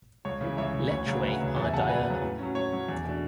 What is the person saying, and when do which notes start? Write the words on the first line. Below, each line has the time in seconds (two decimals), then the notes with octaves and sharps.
Lechwe are diurnal.
0.25 C#2 C#5
0.41 C#3 E3
0.57 C#2 C#5 E5
0.74 C#3
0.79 E3
0.90 D2 C#5
1.07 C#3 F#3
1.23 D2 B4
1.40 C#3 F#3
1.57 E2 C#5
1.64 E5 G#5
1.73 C#3 F#5 A5
1.77 F#3 E5 G#5
1.89 E2 B4
2.06 C#3 F#3
2.22 A2
2.39 F#3 C#4
2.55 A2 C#5
2.72 F#3 C#4
2.88 E2
3.05 B2 A3 D4